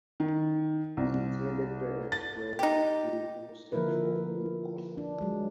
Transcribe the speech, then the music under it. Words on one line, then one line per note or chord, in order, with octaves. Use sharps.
The intended parents were a homosexual male couple.
D#3
C2
A6
D#4 G4
D3 F3 A#3 E4 A#4 B4
D4
F#3 G#3